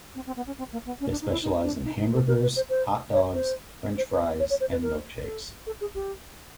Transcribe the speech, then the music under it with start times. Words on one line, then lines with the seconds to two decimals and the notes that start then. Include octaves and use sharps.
They specialize in hamburgers, hot dogs, french fries, and milkshakes.
0.15 C4
0.26 C4
0.36 B3
0.47 C#4
0.58 C4
0.73 A#3
0.86 B3
1.01 C#4
1.11 D4
1.22 D#4
1.32 E4
1.42 D#4
1.64 D4
1.86 D#4
2.00 D#4
2.14 A4
2.27 A#4
2.42 B4
2.56 C5
2.70 C5
3.13 C#5
3.33 C5
3.98 C5
4.11 B4
4.39 C#5
4.50 C#5
4.60 C5
4.71 B4
4.82 A#4
5.24 A4
5.67 A4
5.81 G#4
5.95 G4